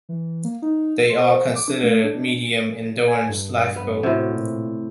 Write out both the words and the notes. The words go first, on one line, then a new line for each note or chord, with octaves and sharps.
They are considered "medium endurance" lifeboats.
E3
A#3
D#4
C5
D6
D4
A3
D4
G#5
G2
B3
A2 C3 F#4
A#2